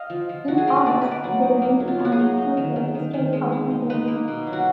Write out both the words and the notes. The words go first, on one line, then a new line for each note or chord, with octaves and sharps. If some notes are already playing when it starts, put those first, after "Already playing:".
In August they went on to the Strait of Magellan.
Already playing: D#5 F5
F3
F3
F3 F#4
G#4
D#4 A#4
B4
A#3 D5
A#3 B4
D5
F#3
D#4
A#3
F#3
F4
F#3
F#4
G#4
D#4
D#4
D#3
D#3
D#3
D#3
G#3
G#3
D#4
D#4 B4
A#3
B2
F#3
F#4